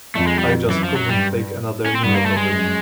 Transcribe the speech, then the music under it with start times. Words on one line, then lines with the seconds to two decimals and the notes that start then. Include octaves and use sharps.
I just couldn't take another minute of it.
0.15 F2 A3
0.27 G#3
0.39 G3
0.62 F#2
0.70 E3
0.84 F3
0.96 F#3
1.09 G2 G3
1.86 C#4
1.95 C4
2.02 G2 B3
2.15 A#3
2.26 A3
2.37 G#3
2.49 F#2